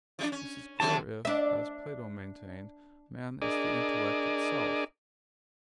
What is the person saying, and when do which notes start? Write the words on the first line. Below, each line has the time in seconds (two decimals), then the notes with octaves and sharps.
This is clear if, as Plato maintained, man is the intellect itself.
0.19 F3 G#3 D4
0.32 C#4
0.80 D#2 F#3 C4 A5
1.25 D4 E5
3.42 D4 G#4 A#4 D5 D#5